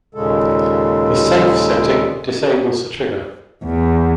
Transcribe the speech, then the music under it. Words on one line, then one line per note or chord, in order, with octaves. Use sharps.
The "safe" setting disables the trigger.
D#2 A#2 C#3 G#3 A4
E2